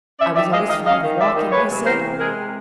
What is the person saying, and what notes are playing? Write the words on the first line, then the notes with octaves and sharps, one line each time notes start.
"I was always fond of walking," he said.
C#4 D5 E5
D#3 D5 E5
G#3 D#5 F5
D#3 D#5 F5
C#4 D#5 F5
D#3
G#3 D5 E5
D#3
G#3 B4 C#5
C3
E3 A#4 C5
C3
G#3 G#4 A#4
C3